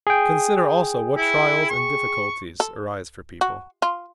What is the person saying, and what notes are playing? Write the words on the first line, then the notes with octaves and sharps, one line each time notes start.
Consider also what trials and difficulties arise for people.
G#4 G5
E4
C#6
A4
F#4
F4